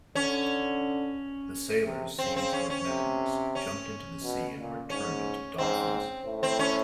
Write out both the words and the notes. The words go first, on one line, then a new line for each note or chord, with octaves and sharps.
The sailors, seized with madness, jumped into the sea and were turned into dolphins.
D3 C#4
C3
C#3 C4
C4
C#4
C#4
C3
C#4
B2
A#2
G#2 C#4
G#2 C4
A2
C4
C#4